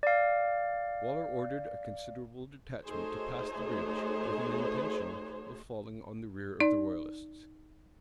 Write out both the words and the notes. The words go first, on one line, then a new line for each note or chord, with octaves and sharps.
Waller ordered a considerable detachment to pass the bridge, with an intention of falling on the rear of the royalists.
D5 F5
A3 D#4 F#4 G#4 C5 C#5
D#4 D5